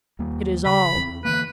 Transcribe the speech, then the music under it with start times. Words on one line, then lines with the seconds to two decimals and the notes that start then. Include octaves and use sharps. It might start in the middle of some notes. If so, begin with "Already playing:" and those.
It is all.
0.19 D#2 G3 A#3
0.66 C#3 B5
0.96 E2 C4
1.25 D3 E3 A#3 B4